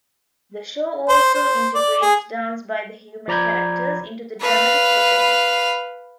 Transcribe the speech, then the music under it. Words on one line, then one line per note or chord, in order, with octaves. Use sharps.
The show also integrates dance by the human characters into the dramatic performance.
C5
C5
D5
G#4
F3 D5 A#5 B5 G6 G#6
B4 F5